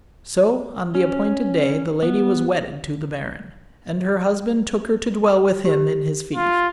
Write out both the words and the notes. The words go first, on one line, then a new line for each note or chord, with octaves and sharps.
So on the appointed day the lady was wedded to the baron, and her husband took her to dwell with him in his fief.
C#4
B3
G4 C5
F4